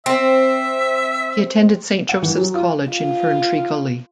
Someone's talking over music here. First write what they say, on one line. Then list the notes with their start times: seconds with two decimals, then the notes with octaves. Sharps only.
He attended Saint Joseph's College in Ferntree Gully.
0.06 C4 E5
2.09 F#5
2.22 E3
2.37 F#3
2.54 F4
2.90 F4